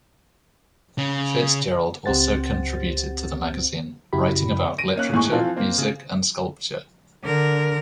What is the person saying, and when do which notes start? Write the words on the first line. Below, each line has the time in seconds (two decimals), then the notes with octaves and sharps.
Fitzgerald also contributed to the magazine, writing about literature, music, and sculpture.
0.98 C#3
2.06 C#2 C4 G4 C5 F#5 A6
4.13 F#2 C#3 E4 F#4 G4 B5
4.78 A#6 D7 D#7
4.96 A#3 C#4 F#6
5.13 D#1 A2 G#3 G#5 C#6
5.32 E3 F3 C4 F4 A4
5.56 A#3 C4
5.78 C#3
7.23 D3 A#4